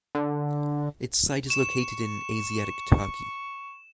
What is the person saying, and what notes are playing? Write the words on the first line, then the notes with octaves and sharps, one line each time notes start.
Its site is located in Asiatic Turkey.
D3
C#6 E7